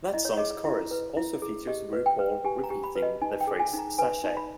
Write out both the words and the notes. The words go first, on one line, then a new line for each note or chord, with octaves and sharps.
That song's chorus also features RuPaul repeating the phrase Sashay!
E4 D#5
C#5
G#4 D#5
E4
B4
E4
G#4
G4 D#5
B4
G5
B4
G4 G#5
A#5
G4
B5
B4
D#5
D#4 G#5
G5
G#4
G#5
D#4
A#5
B4 G#5
D#4
B5